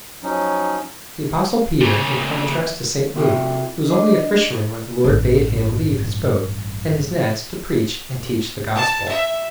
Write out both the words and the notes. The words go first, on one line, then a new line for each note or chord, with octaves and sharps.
The Apostle Peter, in contrast to St. Luke, was only a fisherman when the Lord bade him leave his boat and his nets to preach and teach the Gospel.
F3 F#3 C#4 D#4
A#2 C#3
C3 F4 F#4 A4 E5 G5
D4 D#5
A1 G2
A5
E5